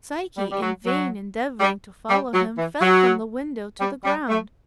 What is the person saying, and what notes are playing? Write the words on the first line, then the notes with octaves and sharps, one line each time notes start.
Psyche, in vain endeavoring to follow him, fell from the window to the ground.
G3
G3
F#3
F#3
G3
G3
F#3
E3
F#3
G3
G3
A3